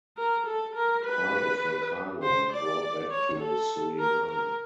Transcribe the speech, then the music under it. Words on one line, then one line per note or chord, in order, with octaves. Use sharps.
Part of her cargo was brought back to Suriname.
A#4
A4
A#4
B4
C5
D5
C#5
A4
A#4
A#4